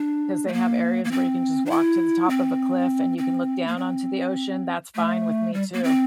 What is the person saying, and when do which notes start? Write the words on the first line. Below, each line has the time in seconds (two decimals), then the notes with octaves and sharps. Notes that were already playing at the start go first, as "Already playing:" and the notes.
'cause they have areas where you can just walk to the top of a cliff and you can look down onto the ocean, that's fine with me too.
Already playing: D4
0.48 A3
0.53 A#3
1.04 A#3
1.11 C4
1.66 D4
1.70 E4
2.30 C4
3.18 C4
3.68 A#3
3.77 C4
4.95 A3
5.54 G3
5.74 A#3
5.83 C4